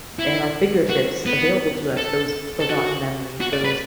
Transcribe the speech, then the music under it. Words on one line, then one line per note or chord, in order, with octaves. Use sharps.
at our fingertips available to us, those forgotten memories, those
E4
F#4
B3
A4
A4
F#4
F#4
D5
B4